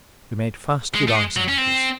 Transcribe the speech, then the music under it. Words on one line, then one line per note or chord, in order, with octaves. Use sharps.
We made fast with ice anchors.
G#3
A3
G#3
F#3
C#4
C4